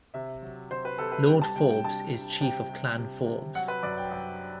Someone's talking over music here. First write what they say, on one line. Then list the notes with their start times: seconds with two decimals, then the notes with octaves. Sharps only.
Lord Forbes is Chief of Clan Forbes.
0.14 C3 E5
0.42 F#3
0.70 C3 C5
0.85 B4
0.98 C3 A4
1.12 B4
1.28 G3 G5
1.42 A5
1.56 C3 G5
1.70 G5
1.84 D4 A5
2.13 G3
2.41 C3 G5
2.69 C3
2.98 C3
3.26 C3
3.55 F#3 F#5
3.68 B4
3.83 F#2 D5
3.97 G5
4.11 F#2 G5